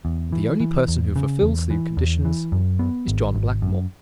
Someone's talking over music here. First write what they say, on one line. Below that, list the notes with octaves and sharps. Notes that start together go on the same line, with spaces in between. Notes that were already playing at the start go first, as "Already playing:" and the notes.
But the only person who fulfills the conditions is John Blackmore.
E2
E3
E3
E2
C#3
E2
E3
E2
E3
F#2
B3
G#1
G#1
F#2